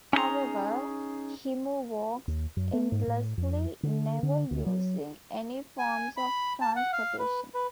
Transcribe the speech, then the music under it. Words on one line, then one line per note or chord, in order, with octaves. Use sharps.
However, Himu walks endlessly - never using any forms of transportation.
C#4 D#4 E4 G#4 A#5
D#2
F#2
B3
G#2
A2
F2
D3
D3
D2
F#3
G#5
B5
A5
F#5
F5
B4
B4